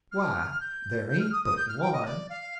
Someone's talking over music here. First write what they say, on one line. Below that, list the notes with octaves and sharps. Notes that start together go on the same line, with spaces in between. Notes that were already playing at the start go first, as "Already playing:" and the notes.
"Why, there ain't but one."
F6
G6
G6
F6
D#6
D#6
G6
F6
G5
D#5
D5
F5